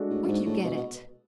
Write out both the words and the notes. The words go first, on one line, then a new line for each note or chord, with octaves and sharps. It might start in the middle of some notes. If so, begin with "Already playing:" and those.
"Where'd you get it?"
Already playing: G#3 D4 F#4 A4
A2
F#2
G#2
A2
B2
B2